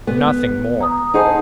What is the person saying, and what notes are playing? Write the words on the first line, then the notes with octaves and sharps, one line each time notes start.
Nothing more.
B3
A#5 D#6
D#4 G#4 C5 F#5 A5